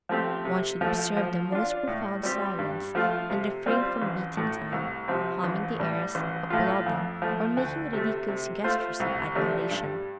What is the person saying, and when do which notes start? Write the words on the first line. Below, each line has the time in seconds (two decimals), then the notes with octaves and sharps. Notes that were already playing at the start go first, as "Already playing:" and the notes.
One should observe the most profound silence, and refrain from beating time, humming the airs, applauding, or making ridiculous gestures of admiration.
0.09 F3 A3 C4 G4
0.45 C3
0.81 F3 A3
1.17 F3
1.52 D4 F4
1.87 A2
2.23 G3 C4 G4
2.59 G2
2.95 F3 A3 F4
3.30 C3
3.66 G3 C4 F4 C5
4.02 A1
4.37 A2 A3
4.72 C2
5.08 C3 F3 C4
5.44 A1
5.79 A2 G3
6.15 A1
6.50 A2 A3 F4
6.86 F2
7.22 F3 A3
7.57 D2
7.93 C3 A3
8.28 C3
8.64 A3 F4 C5
9.00 C2
9.35 C3 F3 A3 D4
9.71 G2